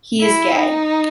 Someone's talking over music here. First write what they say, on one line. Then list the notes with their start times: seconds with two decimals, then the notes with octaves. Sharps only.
He is gay.
0.21 E4
0.59 D#4